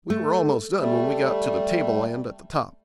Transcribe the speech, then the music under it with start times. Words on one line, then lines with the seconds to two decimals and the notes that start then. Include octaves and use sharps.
We were almost done when we got to the tableland at the top.
0.10 A3
0.79 G3 A3